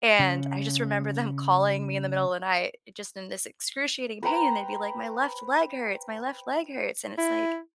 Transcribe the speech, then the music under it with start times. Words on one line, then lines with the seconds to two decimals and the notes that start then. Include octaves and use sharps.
and I just remember them calling me in the middle of the night, eh, just in this excruciating pain, they'd be like, "My left leg hurts, my left leg hurts," and it's like,
0.19 C#3 C#4
4.23 B4 C5 G5 A#5
7.18 E4